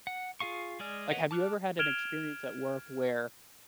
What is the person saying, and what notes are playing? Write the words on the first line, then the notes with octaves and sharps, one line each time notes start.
like, have you ever had an experience at work where
F#5
F4 G#4 F5 C#6
G#3 G#4 D5 F6
A#4 B4 C#5 D#5 F#5
A5 D6 F6 F#6
F6 G#6 D7 E7 F7 G7